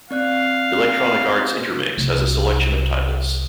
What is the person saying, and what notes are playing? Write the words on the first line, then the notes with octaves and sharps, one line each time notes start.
Electronic Arts Intermix has a selection of titles.
C4 D5 F5 F#6
C2